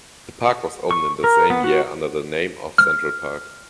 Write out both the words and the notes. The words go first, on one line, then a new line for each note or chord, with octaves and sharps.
The park was opened in the same year under the name of Central Park.
C#6
A#4
B3
F#4
F6